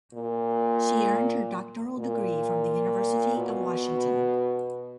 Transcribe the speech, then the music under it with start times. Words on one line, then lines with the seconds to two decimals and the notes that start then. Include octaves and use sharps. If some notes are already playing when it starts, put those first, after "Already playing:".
She earned her doctoral degree from the University of Washington.
0.14 A#2
1.99 A#2
3.36 B2